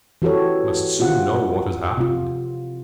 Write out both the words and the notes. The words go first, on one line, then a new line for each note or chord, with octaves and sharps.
He must soon know what has happened.
E3 F#4 G4 A4 C#5
E4 F4 G4 F#5
C3 F4